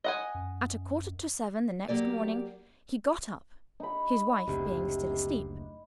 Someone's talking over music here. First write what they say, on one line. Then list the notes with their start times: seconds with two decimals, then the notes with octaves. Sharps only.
At a quarter to seven the next morning, he got up; his wife being still asleep.
0.04 D#5 F#5 G#5
0.35 F#2
1.88 F#3 A#3 G4 D5
3.80 D#4 B5
4.48 F#1 D2 C3